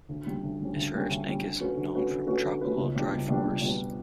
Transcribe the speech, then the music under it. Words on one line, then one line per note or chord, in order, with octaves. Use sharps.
This rare snake is known from tropical dry forests.
D2
D3 G3 C#4
D2
D3 G3 C#4
D2
D3 G3 C#4
D2
D3 G3 C#4
D3
A3 C#4 F#4 B4
D3
A3 C#4 F#4 B4
D3
A3 C#4 F#4 B4
D3
A3 C#4 F#4 B4
C#2
B2 G3 D4
C#2
B2 G3 D4
C#2
B2 G3 D4